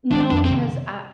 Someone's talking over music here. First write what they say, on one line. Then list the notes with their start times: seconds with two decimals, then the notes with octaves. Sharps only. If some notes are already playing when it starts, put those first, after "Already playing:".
No, because I
0.11 D#3 G#3 C4 D4
0.30 F2 D4
0.44 C4
0.50 C3 D#3